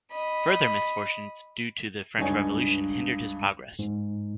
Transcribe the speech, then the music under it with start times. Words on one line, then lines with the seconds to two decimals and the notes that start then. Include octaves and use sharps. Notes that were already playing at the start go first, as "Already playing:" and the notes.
Further misfortunes due to the French Revolution hindered his progress.
0.11 D#5 B5
2.17 C#2 G2 D3 D#4 C#5 G#5
3.79 G#2